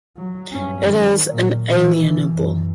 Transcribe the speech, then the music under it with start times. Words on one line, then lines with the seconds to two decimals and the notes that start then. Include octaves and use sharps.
It is inalienable.
0.17 F#3
0.51 G2 C#4
0.87 D#3 F#3
1.30 A#2
1.69 B2 E3
2.28 F#2